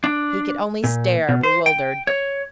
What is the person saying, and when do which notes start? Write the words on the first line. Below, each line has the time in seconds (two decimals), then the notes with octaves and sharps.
He could only stare, bewildered.
0.04 D4
0.84 A#2
1.29 B2
1.43 C5
1.66 G5
2.07 C#5